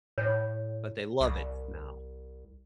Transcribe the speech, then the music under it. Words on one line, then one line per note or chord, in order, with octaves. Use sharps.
But they love it now,
A2 C#5
C2